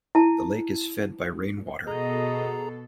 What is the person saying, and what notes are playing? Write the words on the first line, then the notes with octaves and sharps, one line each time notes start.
The lake is fed by rain water.
E4 A5
B2 G#4 A4 D#5 A#5